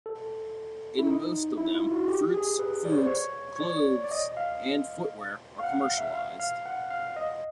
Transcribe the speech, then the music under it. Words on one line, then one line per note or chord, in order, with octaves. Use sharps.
In most of them, fruits, foods, clothes and footwear are commercialized.
A4
E4
D#4
E4
F4
F#4
G4
G#4
B4
D5
C#5
C5
C#5
C#5
D5
D5
D#5
F5
F5
F#5
F5
E5
F5
F5
F#5
F5
D#5